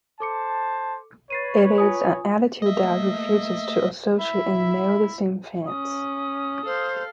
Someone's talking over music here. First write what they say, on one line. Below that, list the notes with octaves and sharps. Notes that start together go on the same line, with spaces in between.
It is an attitude that refuses to associate and know the same fans.
A4 C5 A5 D6 C#7
B4 C#5 A6 C7 D#7
F4 G#5 D#6
A3 A#3 D#5 E5
E4 E5
C#4 D#6
A4 C5 F5